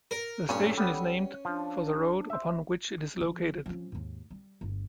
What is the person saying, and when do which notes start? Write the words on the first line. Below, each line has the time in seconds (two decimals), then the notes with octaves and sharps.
The station is named for the road upon which it is located.
0.11 A#4
0.49 G2 A#2 C#4 A4
0.78 G3 B3
1.45 F3 D4
2.30 C5 E5
3.20 E3 F3
3.66 F3 C#4
3.92 D#2 G#2
4.30 G3
4.61 G1 D2